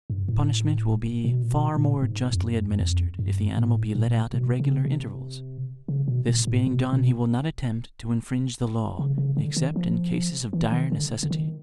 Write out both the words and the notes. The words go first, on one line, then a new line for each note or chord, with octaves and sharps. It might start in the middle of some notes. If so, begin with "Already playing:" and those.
The punishment will be far more justly administered if the animal be let out at regular intervals; this being done he will not attempt to infringe the law, except in cases of dire necessity.
G2
A2
B2
A#2
B2
A#2
G#2
F2
F#2
F2
G2
A2
A#2
B2
C#3
C3
C#3
B2
A#2
A2
B2
B2
C#3
C#3
D3
D#3
F3
E3
D#3
D3
D3
D#3